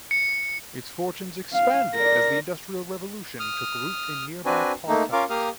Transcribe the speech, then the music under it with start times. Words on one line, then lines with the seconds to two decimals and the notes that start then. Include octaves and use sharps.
Its fortunes expanded as the Industrial Revolution took root in nearby Pawtucket.
0.11 C#7
1.53 F5
1.95 A#4 D5 A#6
3.40 D#6 F6
4.45 C4 D4 F#4 B4 G#5
4.88 A3 A#3 D#4
5.12 C#4 F4 A#4 F5 D6
5.30 A#3 G4 A#4 F5 D#6 F6